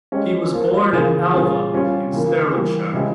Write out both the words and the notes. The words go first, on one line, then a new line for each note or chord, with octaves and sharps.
He was born at Alva, in Stirlingshire.
G#3 C#4 G4
F3 A#3 F4
C#3 E3 A#3 F4 G#4
A#2 G3 C#4 F4 G#4
G3 C#4 F4
C#3 E3 A#3
E3 G3 A#3
C#3 F3 G#3 E4 G4